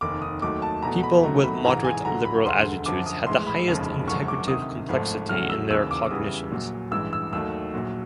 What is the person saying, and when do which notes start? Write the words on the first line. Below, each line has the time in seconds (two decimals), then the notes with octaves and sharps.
People with moderate liberal attitudes had the highest integrative complexity in their cognitions.
0.01 F1 D#2 D#3 D6
0.22 D#6
0.42 D#2 D#3 F#3 A3 D6
0.62 A5
0.82 E2 B2 F#3 A3 A#5
1.03 B5
1.23 D2 C3 D#3 F#3 A3 A#5
1.44 B5
1.64 A1 G#2 E3 G#3 A#5
1.85 G#5
2.05 D2 D3 F#3 A#5
2.25 B5
2.45 E1 D2 D3 C6
2.86 F#2 D3 F3 D6
3.06 D#6
3.26 A#1 A2 E3 G#3 C6
3.47 B5
3.67 F1 D#2 C#3 F3 G#3
4.07 F#1 F#2 D3 F3 G#3 C#6
4.28 D6
4.48 D2 C3 D#3 D#6
4.89 G#1 G#2 F3 A3
5.29 E2 C#3 F#3 A3 F6
5.50 E6
5.70 D#2 C#3 E3 E6
5.91 D6
6.11 E2 C#3 E3 G3 D#6
6.51 A#1 A#2 F#3
6.91 A1 G2 E3 G#3 E6
7.13 E6
7.33 D#2 D#3 F#3 A3 E6
7.74 A#1 A#2 F#3